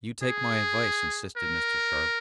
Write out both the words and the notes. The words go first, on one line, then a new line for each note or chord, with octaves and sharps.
"You take my advice," insisted Mr. Sharp.
G#4
A#4